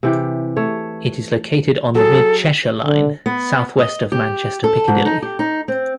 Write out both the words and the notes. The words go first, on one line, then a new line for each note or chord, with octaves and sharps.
It is located on the Mid-Cheshire Line southwest of Manchester Piccadilly.
C3 E3 G4
A3 C#5
F#3 G#4 A4
D3
B3
D#5
G4
A4
G#2
D#4
G4
D#4
C4